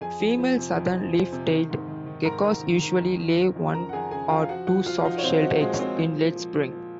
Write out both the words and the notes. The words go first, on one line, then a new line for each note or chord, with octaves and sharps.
Female southern leaf-tailed geckos usually lay one or two soft-shelled eggs in late spring.
F2 G#4 G#5
F3
F3
C3
F2
F3
F3
C3
D#3
G#2
D#3
D#3
G#2 A#4 A#5
G#2
D#3
D#3
F2
F3
F3
F2
C#3 A#4 A#5
F#5
F2 G#4 G#5
C#3 G#4 G#5
F3 F4 F5
F3 F#4 F#5
F3 F#4 F#5
F3 F4 F5
F3 D#4 D#5
C#5
F3 C4 C5
F3 F#4
A#2 G#3 G#4
C#5
A#2 C4 C5
F3
F3
F3
F3
F3